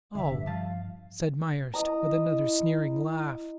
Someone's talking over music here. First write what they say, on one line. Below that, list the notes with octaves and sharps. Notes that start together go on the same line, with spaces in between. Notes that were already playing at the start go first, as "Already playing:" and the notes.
"Oh!" said Myerst, with another sneering laugh.
F1 D3 E5
G2
F3 F5 A5
E4 D#5 A#5